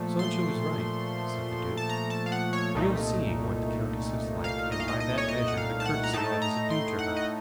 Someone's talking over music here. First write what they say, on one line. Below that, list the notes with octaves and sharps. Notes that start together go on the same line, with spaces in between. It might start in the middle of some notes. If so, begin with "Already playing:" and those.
"Sancho is right," said the duke; "we'll see what the countess is like, and by that measure the courtesy that is due to her."
Already playing: A#2 F3 A3
C6
A5
A#5
A5
F5
F#5
C#5
C2 A#2 A3 D#4
F5
D#5
F5
D#5
D#5
C#5
D#5
F#5
F5
A5
F#5
A#5
A2 A3 D#4 A5
A#5
C6
F#5
D#5